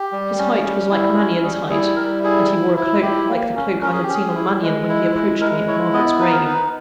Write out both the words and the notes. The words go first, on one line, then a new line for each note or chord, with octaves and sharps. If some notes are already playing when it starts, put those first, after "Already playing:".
His height was like Mannion's height; and he wore a cloak like the cloak I had seen on Mannion, when he approached me at Margaret's grave.
Already playing: G4
G3
C#4
G3
E4
C#4
G3 G#4
E4 G#4
G3 A#4
E4 G#4
E4
E4
E4 G4
A#3
C#4
C#4 A#4
G#4
G4
C#4
G#4
E4
G#3
E4
G#3
G#3 A#4
E4 C#5
B3 D#5
D#4 B4
A#4
D#4 B4